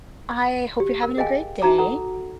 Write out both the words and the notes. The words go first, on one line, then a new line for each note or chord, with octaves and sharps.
I hope you're having a great day.
G4
A#4
G#4 D#5 F5 G5 G#5
D#4 F#4 A#5 D6
A4 F#5 A#5